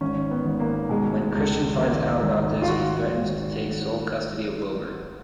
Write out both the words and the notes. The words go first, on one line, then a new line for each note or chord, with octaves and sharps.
When Christian finds out about this, he threatens to take sole custody of Wilber.
G#1 C#4
B3
G#1
A#3
B2 G#3
C#2
G#1 A#3
G#1
F4
G#1 F#4
G#1